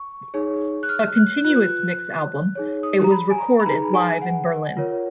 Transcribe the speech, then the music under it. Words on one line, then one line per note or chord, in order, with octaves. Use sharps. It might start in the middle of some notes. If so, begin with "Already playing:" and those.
A continuous mix album, it was recorded live in Berlin.
Already playing: C#6
D#4 G#4 C#5
F#6
F6
F#6
F4 B4 F#6
D#4 G#4 C#5
D#6
A#5
B5
G#5
A#5
B5
D#4 G#4 B4 A#5
G#5
F#5
F4 A#4 C#5